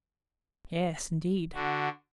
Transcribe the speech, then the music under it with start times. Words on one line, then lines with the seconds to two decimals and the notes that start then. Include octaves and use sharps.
"Yes, indeed."
1.54 D3 F#4